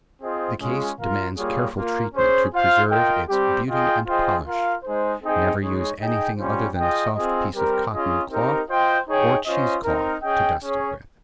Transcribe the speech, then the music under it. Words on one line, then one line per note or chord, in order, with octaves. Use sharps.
The case demands careful treatment to preserve its beauty and polish, Never use anything other than a soft piece of cotton cloth or cheese cloth to dust it with.
C4 F4 G#4 C5 D#5
G#3 C#4 F4 G#4
F4 A#4 F5
G3 A#3 F4 G#4 C#5
A#3 F4 A#4
C#4 G#4 C5
F4 C5 F5
F4 A#4 D#5 G5
G3 C4 G4
F4 G#4 D#5 G5
F4 G#4 C5 D#5 G5
F4 A#4 F5
G#3 D#4 G#4 C5
C4 D#4 G#4 D#5 G5
G#3 D#4 G#4 C#5
D#4 G#4 D#5 G5
G3 C#4 F4 C5
F4 G#4 D#5 G5
C4 F4 G#4 D#5
G3 C4 G4 A#4
C#4 F4 G#4 D#5
C4 D#4 G4 A#4
F4 C5 D#5 G5
D#4 G#4 C#5 G5
C#4 F4 C5 D#5
C4 D#4 A#4
C#4 G#4 D#5 G5
C#4 G#4 C#5